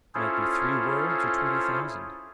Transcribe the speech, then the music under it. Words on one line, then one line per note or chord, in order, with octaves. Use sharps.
It might be three words or twenty thousand.
C#4 E4 F4 G#4 A4 C5